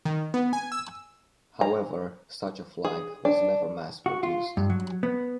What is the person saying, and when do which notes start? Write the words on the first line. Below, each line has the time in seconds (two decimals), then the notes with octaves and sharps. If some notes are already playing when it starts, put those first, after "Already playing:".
However, such a flag was never mass-produced.
0.05 D#3
0.34 B3
0.53 G#5
0.72 E6
1.61 A#5
2.85 G#4
3.25 D4
4.06 F#4
4.23 F4
4.57 G2
4.70 F#3
5.03 B3